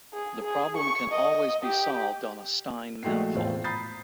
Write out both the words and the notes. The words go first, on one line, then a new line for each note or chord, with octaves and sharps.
The problem can always be solved on a Stein manifold.
G#4
G#4
C#6
D#5
G4
A#1 G#3 A3 F#4 G5 C7
E1 A2 C4 F4
A#5 B5 D#6 G6 A6 C7